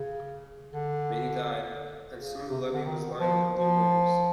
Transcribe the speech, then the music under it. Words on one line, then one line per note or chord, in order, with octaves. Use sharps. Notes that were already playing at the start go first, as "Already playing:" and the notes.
Many died, and soon the levee was lined with new graves.
Already playing: C#3
D3
C#3
C3
C#3
D3
D#3
F3
F3